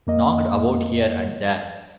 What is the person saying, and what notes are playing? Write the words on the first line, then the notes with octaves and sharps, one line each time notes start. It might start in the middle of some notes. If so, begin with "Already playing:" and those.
Knocked about here and there.
F2 A#3 D#5